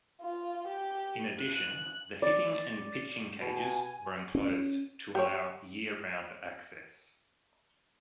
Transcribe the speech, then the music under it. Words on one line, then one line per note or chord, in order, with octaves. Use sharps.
In addition, the hitting and pitching cages were enclosed to allow year-round access.
F4
G4
F#6
D5
B2 G#5
C#4
G4 C#5